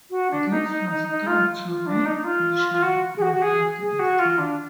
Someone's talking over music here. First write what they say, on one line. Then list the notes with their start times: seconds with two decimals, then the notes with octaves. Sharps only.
This was thought to make the child grow healthy and strong.
0.10 F#4
0.31 D4
0.50 D#4
0.69 D#4
0.89 D#4
1.08 D#4
1.27 F4
1.67 F4
1.86 D4
2.06 D#4
2.24 F4
2.72 F4
2.83 F#4
3.17 G#4
3.22 F#4
3.33 F#4
3.42 G#4
3.80 G#4
3.99 F#4
4.19 F4
4.38 D4